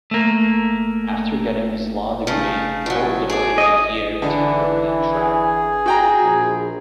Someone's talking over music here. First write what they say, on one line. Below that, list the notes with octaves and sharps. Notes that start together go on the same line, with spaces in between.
After getting his law degree, Colt devoted a year to European travel.
A3 A#3
C#3 A3
A2 F#3
G#4 D5
D#5
D3 E3 D4
G#4
F#4 G5 A#5
A#1